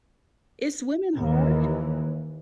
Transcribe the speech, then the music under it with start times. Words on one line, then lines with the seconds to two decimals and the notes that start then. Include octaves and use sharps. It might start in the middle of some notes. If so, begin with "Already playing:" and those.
Is swimming hard?
1.16 D#2 E3